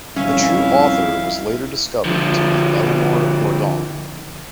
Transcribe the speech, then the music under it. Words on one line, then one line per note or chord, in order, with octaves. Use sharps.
The true author was later discovered to be Elinor Mordaunt.
F2 B2 D#3 G3 C#4 E4 E5 F5
D3 F3